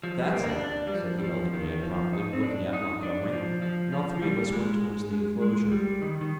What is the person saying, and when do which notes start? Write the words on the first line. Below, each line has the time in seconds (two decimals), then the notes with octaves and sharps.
"That's it," said the elder man, promptly, looking at Montgomery; and all three of us went towards the enclosure.
0.03 F3
0.19 G3
0.33 A#3
0.44 D#4
0.49 D4
0.64 D4
0.87 G3
0.94 F3
1.19 G3
1.24 F3
1.53 D#3
1.83 F3
2.13 D#4
2.33 C4
2.43 D4
2.73 D#4
3.03 D4
3.32 F3
3.62 F3
3.92 F3
4.22 G3
4.52 G#3
5.42 G#3
5.72 G3
6.02 D#3
6.21 D#3